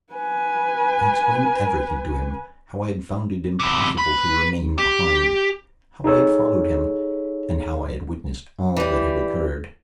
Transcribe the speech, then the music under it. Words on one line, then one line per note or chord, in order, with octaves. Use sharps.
I explained everything to him: how I had found it impossible to remain behind, how I had followed him, and how I had witnessed all that had occurred.
B4 G#5
E2 C3
B4 B5
G4
D#4 G#4 A4 C#5
E3 G3